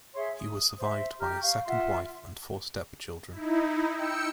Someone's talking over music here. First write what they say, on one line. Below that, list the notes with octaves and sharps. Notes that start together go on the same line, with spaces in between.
He was survived by his second wife and four step-children.
G#4 C#5 E5 C6
D#6
C5 E5
G4 A#5 F6
F5 C#6
F4 E5 F#5 C6
D#4 E4
G5 E6 C#7